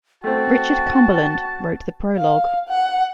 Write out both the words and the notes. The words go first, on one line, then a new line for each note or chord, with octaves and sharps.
Richard Cumberland wrote the prologue.
A3 C4 F#4 G5 A5
F5
F#5